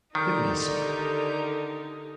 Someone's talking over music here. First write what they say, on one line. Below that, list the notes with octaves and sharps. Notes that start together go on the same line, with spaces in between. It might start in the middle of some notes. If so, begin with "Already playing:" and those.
Give me a cigarette.
D3 D#3 D#4 G4 A4 A#4 D5 G6